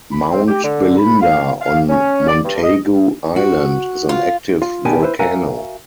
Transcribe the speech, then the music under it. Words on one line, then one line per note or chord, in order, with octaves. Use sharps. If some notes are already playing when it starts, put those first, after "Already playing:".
Mount Belinda on Montagu Island is an active volcano.
B5
C4
G4
D3
B5
F5
F5
C#4
D5
G2
D#5
F#4
F4
F4
C2 B2 D#3 D4 G4 G#5
E4 B4 C5
F#4 A#4 E5 F5 G#5 A#5